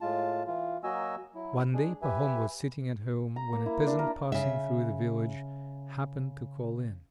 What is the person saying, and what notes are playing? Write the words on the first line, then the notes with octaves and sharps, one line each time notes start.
One day Pahom was sitting at home, when a peasant passing through the village, happened to call in.
A2 G#3 F4 A5
E3 F4
F#3 A#3 F#4 D#5 G#5 E6
F#3 E4
G#3 D4 G#4
G4 B4 E5 G#5
A#5
A#3
E4
D4
A#4
C#3 E5